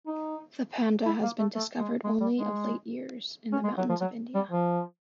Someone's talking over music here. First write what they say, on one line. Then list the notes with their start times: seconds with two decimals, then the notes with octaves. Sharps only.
The panda has been discovered only of late years, in the mountains of India.
0.07 D#4
1.06 E4
1.23 A#3
1.39 A3
1.55 A3
1.80 G#3
2.04 G#3
2.21 G3
2.38 G#3
3.53 C#4
3.64 G#3
3.78 F#3
3.89 F3
4.01 F#3
4.35 G3
4.51 F3